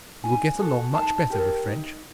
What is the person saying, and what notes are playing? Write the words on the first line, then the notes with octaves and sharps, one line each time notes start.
You will get along much better with French.
D#4 G#5
F#4 A4
D#4 A5
G4 A#4
D#4